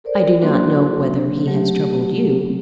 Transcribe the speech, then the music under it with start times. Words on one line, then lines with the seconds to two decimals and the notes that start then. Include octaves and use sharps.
I do not know whether he has troubled you.
0.04 A4 A#4 C5 D5
0.41 F#3 A#3 D4 F#4 C5 C6
1.45 F#3 A3 G4